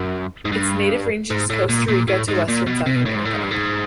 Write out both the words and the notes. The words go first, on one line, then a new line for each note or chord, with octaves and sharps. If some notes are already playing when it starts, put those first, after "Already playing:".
Its native range is Costa Rica to Western South America.
Already playing: F#2
G#2
G2
G#2
A2
A#2
A#2
A2
G#2
A#2
B2
C3
B2
A2
G#2
A2
G#2
G2
G#2